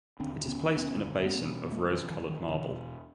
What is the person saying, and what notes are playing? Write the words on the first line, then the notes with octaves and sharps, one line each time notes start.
It is placed in a basin of rose-colored marble.
E1 D#2 D3 C4 D4
B3 C#4
E1 D#2 D3 B3 C#4
B3
E1 E2 B2 A#3 C4
B3
G#3 A#3
E1 E2 B2 E3 F#3
D#3 F3
D#3
E1 E2 B2 D3 E3